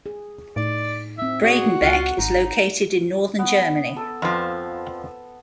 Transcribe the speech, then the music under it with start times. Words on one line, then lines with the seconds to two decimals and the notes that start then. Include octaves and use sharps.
Bredenbek is located in northern Germany.
0.06 G#4
0.56 A2 D#4 D5
1.18 C4 E4 E5
1.42 C4 F#4 G#4 D5
1.82 C#2 F4 F#5
2.19 G#1 D#4
3.39 B3
3.96 A4
4.22 F2 F3 B4